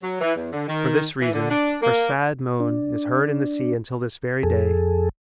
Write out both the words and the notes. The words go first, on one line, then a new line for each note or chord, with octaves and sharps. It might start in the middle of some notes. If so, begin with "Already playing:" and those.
For this reason her sad moan is heard in the sea until this very day.
F#3
E3
E2
D3
D#3
E3
D3
D4
A#3
D4
F2 G#4 A4